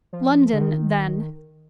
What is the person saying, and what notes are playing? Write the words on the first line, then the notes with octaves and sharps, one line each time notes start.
"London, then."
F3
D3
D#3